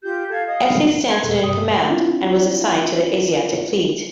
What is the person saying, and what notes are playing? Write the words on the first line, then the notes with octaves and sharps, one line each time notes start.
S. A. Stanton in command, and was assigned to the Asiatic Fleet.
F4 G4 G6
A4 F5 G#6
D#5 F5 D#6
C6 G#6
D#2 A#2 A4 B4
G2 C3 D#6
C4 D4 E4 F4